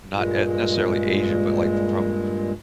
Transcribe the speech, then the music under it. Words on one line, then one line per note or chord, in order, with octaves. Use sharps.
not e necessarily Asia, but, like, from
G2 A#2 G#3